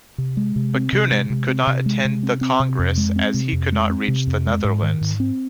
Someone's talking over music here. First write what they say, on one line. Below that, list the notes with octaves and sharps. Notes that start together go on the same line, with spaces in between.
Bakunin could not attend the congress, as he could not reach the Netherlands.
C3
G#3
C3
C4
C3
G#3
C3
C4
C3
G#3
C3
C4
C4
C3
F2
G#3
C4
C3
F2
G#3
C4
C3
F2
G#3
G#2
D#3
G#2
C4